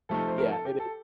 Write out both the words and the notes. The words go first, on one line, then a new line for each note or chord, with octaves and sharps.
Yeah, it is
C3 F3 A3 D#4 A4
C5
A#4
A4
G4
A4